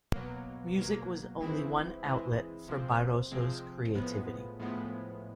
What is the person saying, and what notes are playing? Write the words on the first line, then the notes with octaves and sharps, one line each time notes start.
Music was only one outlet for Barroso's creativity.
B2 F#3 A#3
B2 F#3 A#3
E3 G#3 C4 E4
E3 G#3 C4 E4
C3 F3 G#3 C4
C3 F3 G#3 C4
A2 F3 G#3 B3
A2 F3 G#3 B3